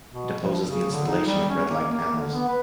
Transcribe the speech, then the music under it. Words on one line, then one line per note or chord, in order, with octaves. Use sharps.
It opposes the installation of red light cameras.
B2
F3
C#3
D3
D#4
G3
C#4
A#3
A#3
D3
B3
B4